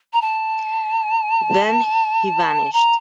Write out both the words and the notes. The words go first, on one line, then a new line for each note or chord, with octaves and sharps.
Then he vanished.
A#5
A5
A#5